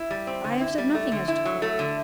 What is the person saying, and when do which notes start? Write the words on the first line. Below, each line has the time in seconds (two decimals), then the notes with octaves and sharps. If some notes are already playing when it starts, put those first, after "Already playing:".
I have said nothing as to fault.
Already playing: E4
0.11 G3
0.27 C4
0.44 D3
0.61 E4
0.78 G3
0.94 A3
1.12 D3
1.28 E4
1.45 F#3
1.62 A3
1.79 D3